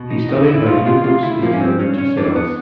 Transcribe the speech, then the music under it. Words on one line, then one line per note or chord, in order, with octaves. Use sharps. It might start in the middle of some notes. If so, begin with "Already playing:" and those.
He studied how glucose is delivered to cells.
Already playing: B2
D#4
E2 D#4
E4
B2 F4
F4
D2 F4
E4
C3 F3 A#3
C#4
C4
G2 C#4
C#4
E3 D4
B3